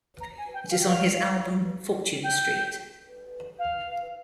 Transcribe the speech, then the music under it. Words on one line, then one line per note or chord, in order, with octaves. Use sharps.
It is on his album, Fortune Street.
A#5
G#5
G5
F5
G5
F5
G5
F5